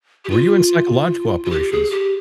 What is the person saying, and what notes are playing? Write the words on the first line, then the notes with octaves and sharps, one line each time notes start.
Were you in psychological operations?
G4
F4
F4
G4
G#4
G4